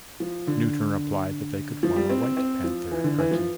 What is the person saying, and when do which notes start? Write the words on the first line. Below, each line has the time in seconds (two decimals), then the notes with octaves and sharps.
Newton replied that they could form a White Panther Party.
0.20 F3
0.47 D3
1.83 F3
1.96 G3
2.10 C4
2.23 C4
2.37 C4
2.64 F3
2.91 E3
3.04 D3
3.18 E3
3.31 F3